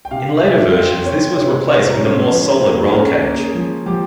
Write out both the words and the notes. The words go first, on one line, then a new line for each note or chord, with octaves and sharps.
In later versions this was replaced with a more solid roll cage.
G5
C3 F5
G3 E5
C4 F5
C4 C#5
C3 C#5
C3 C#5
A#4
C#4 C5
F3
A#3
C#4 A#4
A#3
G#4
F3
F3 G4